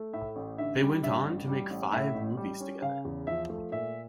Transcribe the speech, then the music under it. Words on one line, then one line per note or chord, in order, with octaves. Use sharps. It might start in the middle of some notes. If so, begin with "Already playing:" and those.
They went on to make five movies together.
Already playing: A3
A2 E5
A1
D3 E5
G3
G2 E5
A1
G3
A1
A2 E5
A1
G3
C#4
C#3 F5
E2
F3 E5
A3
A#2 E5